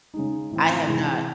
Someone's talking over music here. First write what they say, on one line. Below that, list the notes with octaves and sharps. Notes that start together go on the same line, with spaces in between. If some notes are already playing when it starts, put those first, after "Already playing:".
I have not.
C#3 G#3 D#4
A2 E3 C4
C3 E3 G#3 C4 E4